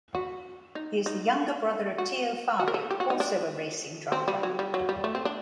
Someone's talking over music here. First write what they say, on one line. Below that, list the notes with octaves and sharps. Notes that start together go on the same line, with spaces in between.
He is the younger brother of Teo Fabi, also a racing driver.
F#4
D#4
D#4
F#4
F#4
A#4
A4
G4
F#4
D#4
D4
C4
G3
F#3
G3
F#3
G3
A3
C4
D4